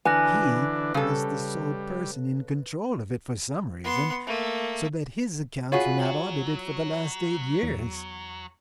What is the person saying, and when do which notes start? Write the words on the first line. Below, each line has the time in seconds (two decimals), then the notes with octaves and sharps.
He was the sole person in control of it for some reason, so that his accounts were not audited for the last eight years.
0.05 D3 E3 D4 B4 G#5 F#6 A#6
0.94 C#3 G3 A4
3.83 B3 C6
4.26 A3 A#3
5.72 F4 F#4 G#4 B4 C#5
6.00 F#3
7.63 E2